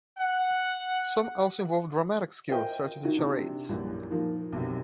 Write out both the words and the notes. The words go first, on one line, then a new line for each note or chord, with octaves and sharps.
Some also involve dramatic skill, such as in charades.
F#5
F4 A#4 C5 D#5 E5 G5
D#3 D#4 E4 F#4
C3 D4
A#1 F#2 A#2 E3 G3
D#3 F3 A#3
B1 F#2 C3